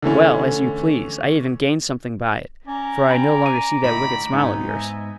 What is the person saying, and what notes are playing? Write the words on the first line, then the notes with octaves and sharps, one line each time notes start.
Well, as you please, I even gain something by it, for I no longer see that wicked smile of yours.
D3 E3 A3 C#4
C#4 D5 A#5
G5 B5
G#5
A2 D3 D#4 B5
G#2 A3 B3 D#4 G#5
D#5 E5 G#5